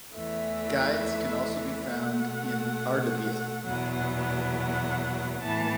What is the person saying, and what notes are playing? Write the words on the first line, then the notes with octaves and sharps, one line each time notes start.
Guides can also be found in Ardabil.
E2 E3 A3 E5
B2 A3 F#5
E2 B2 F#3 B3 F#5
F#5
F#5
A2 E3 B3 A5